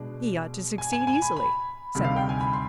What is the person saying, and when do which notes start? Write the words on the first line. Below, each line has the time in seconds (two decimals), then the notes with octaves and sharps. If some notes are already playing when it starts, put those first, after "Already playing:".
"He ought to succeed easily," said Ralph.
Already playing: B2 G#3 D4
0.78 G#5
0.93 G#5
1.07 G#5
1.22 B5
1.37 B5
1.95 D2 C3 G3 C4 D#4
2.04 F5
2.16 G5
2.29 G#5
2.41 B5
2.53 C6